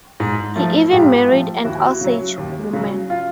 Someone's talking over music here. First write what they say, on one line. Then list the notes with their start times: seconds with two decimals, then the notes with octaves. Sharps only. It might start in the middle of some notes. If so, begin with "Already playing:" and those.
He even married an Osage woman.
0.20 G#2
0.56 F3 A3
0.92 G#2 F4 G4
1.28 F3 A3
1.64 D#2 E4 F#4
2.01 C#3 F#3
2.38 D#2
2.73 C#3 F#3
3.10 F4